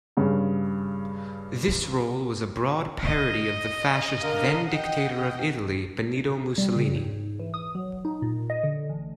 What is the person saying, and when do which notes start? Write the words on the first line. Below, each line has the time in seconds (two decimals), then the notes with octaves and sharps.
This role was a broad parody of the fascist then-dictator of Italy, Benito Mussolini.
0.17 G2 C#3
3.04 D#5
4.21 D3 A#4 F5
4.68 D#5 F#5 G5
6.58 G3
6.76 C#3
6.96 G#2
7.39 E3
7.54 D#6
7.75 F#3
8.05 D#4
8.22 A#2
8.50 D#5
8.64 D3
8.90 A1